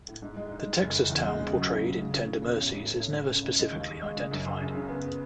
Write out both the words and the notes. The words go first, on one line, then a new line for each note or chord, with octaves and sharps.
The Texas town portrayed in "Tender Mercies" is never specifically identified.
A2
G#2
G#3
D#4
G#3
F#1
F#1
E2
G#3
C#3
F#3
C#3
F#3
C#3
C#3
C#3
E1
A1
G#2
A3
A1
C#3
C#2
D#4
G#3
D#2
G#3
G#3
C#3
F#2
F#1
F#1
C#3
B3